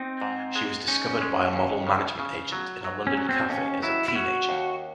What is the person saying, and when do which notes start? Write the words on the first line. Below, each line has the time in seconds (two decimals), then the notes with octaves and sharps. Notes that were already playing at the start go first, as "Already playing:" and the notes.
She was discovered by a model-management agent in a London cafe as a teenager.
Already playing: C4 D#4
0.21 G#2
0.55 G#3
0.88 C#4 D#4
1.21 G#3
1.53 D#2
1.87 C#3
2.19 C#3
2.52 F#3
2.84 F#3
3.07 C#4
3.17 F#3
3.29 C4
3.50 D#2 C#4
3.82 F#3 E4
4.08 E4
4.15 C#4 F#4
4.49 D#2